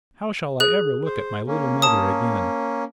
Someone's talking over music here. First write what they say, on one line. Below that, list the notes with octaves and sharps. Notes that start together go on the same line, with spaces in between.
How shall I ever look at my little mother again?
G#4 F#6
C5
A#3 C#4
A5 D#6